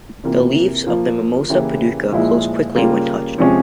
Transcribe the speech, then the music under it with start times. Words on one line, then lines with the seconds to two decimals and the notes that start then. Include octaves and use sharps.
The leaves of the Mimosa pudica close quickly when touched.
0.24 C3 E3 A#3 F4
0.87 F3 A#3 F4
1.50 C#3 E3 A#3 E4 G4
2.12 A#2 F3 G#3 E4
2.76 C#3 G3 A#3 F4
3.38 C3 F3 G#3 C#4